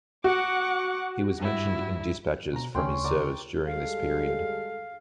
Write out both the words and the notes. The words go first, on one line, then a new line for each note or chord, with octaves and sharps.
He was mentioned in despatches for his service during this period.
F#4 F#5 C#6 D6
G2 E4
B2 A#5
D2 C#3 C#4 G5 C6
D5 A#5
G3 G#3 A4 F5